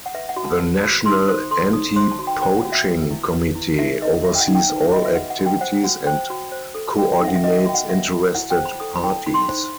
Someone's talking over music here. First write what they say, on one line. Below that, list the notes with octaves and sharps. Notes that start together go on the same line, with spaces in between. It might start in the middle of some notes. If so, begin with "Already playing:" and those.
The national anti-poaching committee oversees all activities and coordinates interested parties.
F#5
B4 E5
F#5
F#4
A5
B4 A5
F#4
B5
D#4 C6
C5 D#6
A4 C6
D#4 D#6
C5 C6
A5
F#4
G5
C5 G5
F#5
F#4
E5
B4
E4
B4
E4
D#4 E5
B4 D#5
F#4 E5
G5
F#5
D#4
G5
B4
E5
F#4 D#5
E5
B4 F#5
F#5
F#4
G5
C5 F#5
F#4 F#5
C5 G5
F#4
C5
A4
F#4 G5
G5
D#4 E5
F#5
E5
B4 D#5
E5
F#4 G5
F#5
B4 E5
F#4
E4 F#5
G5
C5
B5
A4 D#6
B5
E4 G5
A5
D#4 B5
C6
B5
C5